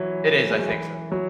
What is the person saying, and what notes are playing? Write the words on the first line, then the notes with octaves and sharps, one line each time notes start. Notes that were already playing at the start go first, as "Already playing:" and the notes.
It is, I think so, yeah.
Already playing: E3 F#3
G#3
F#3
E3
F#3